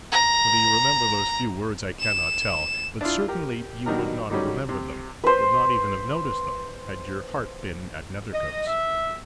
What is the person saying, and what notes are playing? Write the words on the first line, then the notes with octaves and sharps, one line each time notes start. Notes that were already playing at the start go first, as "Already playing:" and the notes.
Whether you remember those few words I cannot tell; but certainly you would not have remembered them,--would not even have noticed them,--had your heart been at Nethercoats.
A#5
E7
D4 E4 F4
G4 A#4
B2 D#3 F#3 D4 G4 A#4
D3 D#3 F#3 G3 C#4
C3
B4 C5
D#5
E5